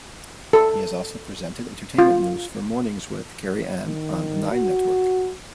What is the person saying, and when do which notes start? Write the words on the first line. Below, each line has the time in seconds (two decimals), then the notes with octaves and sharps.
He has also presented entertainment news for Mornings with Kerri-Anne on the Nine Network.
0.53 A4
1.98 F4
3.85 D#3
4.51 F#4